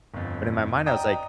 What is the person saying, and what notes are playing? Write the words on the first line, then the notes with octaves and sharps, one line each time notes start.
but in my mind I was like,
G1 F2
D5 D#5 F#5 G5 A#5 D#6